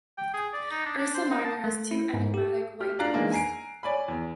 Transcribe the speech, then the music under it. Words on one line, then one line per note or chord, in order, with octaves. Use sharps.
Ursa Minor has two enigmatic white dwarfs.
G5
G#4
D5
D#4
D4
D4
C5
D#4
A5
A3
E4
G#2
G4
G4 F6
D4 F4 D5 A#5 F#6 C7
D#3 E3 G#3 A#3 D4
G#5 A#5 C7 D7
C#5 D5 G#5 B5
E2